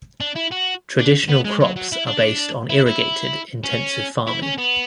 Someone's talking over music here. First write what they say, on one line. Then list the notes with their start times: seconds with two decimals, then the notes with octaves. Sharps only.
Traditional crops are based on irrigated, intensive farming.
0.20 D4
0.35 E4
0.51 F#4
0.99 D4
1.29 B3
1.44 G#3
1.60 F#3
1.76 F#3
1.92 E4
2.07 D4
2.69 E4
2.86 E4
3.64 C#4
4.27 E4
4.42 C#4
4.58 B3